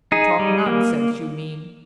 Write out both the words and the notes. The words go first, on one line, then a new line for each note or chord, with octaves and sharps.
"To talk nonsense, you mean."
D#4 G#4
G3
A#3